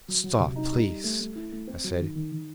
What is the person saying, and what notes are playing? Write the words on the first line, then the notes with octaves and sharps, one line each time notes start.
"Stop, please," I said.
F#3
F#3
C3
D#4
G3
G3
A3
A3
E4
A3
C4
F#3
D#3
D#3
D#3